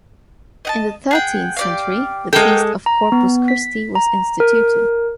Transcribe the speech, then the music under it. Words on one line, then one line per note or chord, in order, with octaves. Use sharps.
In the thirteenth century, the Feast of Corpus Christi was instituted.
D#5 F#5 A5
G#4 F#5 G5
G4 D5 F5
G#3 A#3 B3 A4 G5
A#5
B3
B6
A#5
A#4